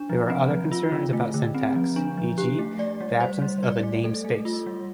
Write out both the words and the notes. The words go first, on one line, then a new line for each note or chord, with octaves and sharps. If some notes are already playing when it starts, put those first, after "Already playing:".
There are other concerns about syntax, e.g., the absence of a namespace.
Already playing: D4
F3
C4
F3
F4
D3
A3
D3
C4
F3
D4
F3
G4
A3
D5
G3
C5
G3
D5
A3
A4
A3
F4
G3